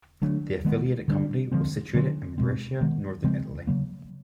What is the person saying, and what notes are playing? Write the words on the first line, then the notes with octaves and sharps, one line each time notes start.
The affiliated company was situated in Brescia, Northern Italy.
D3 F#3 A3 D4
D#3 G#3 B3
D3 G3 B3 D4
D3 F3 G#3 C4
D3 F#3 A#3 C#4
B2 G#3 C4
D#3 G#3 B3
C#3 F3 G#3 C4
C#3 F#3 A#3